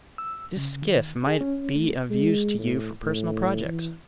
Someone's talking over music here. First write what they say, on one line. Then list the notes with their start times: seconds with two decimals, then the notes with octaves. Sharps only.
"This skiff might be of use to you for personal projects."
0.18 E6
0.56 C#3
0.82 D#3
1.27 G#4
1.41 C#4
1.75 A3
2.10 G#3
2.59 A2
3.03 A2
3.65 E3